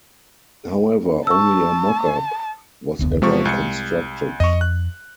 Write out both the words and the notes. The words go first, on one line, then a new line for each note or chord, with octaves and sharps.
However, only a mockup was ever constructed.
A5 C#6 E6
F1 D2 B3
C3 F3 G#3 C#6
C2 C#7
F2 D#5 C#6
F#6